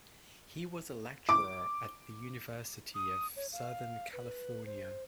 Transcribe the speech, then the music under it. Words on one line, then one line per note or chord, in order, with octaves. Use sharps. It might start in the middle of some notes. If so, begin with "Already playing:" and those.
He was a lecturer at the University of Southern California.
D6
D#6
C#5
F5
B4
C5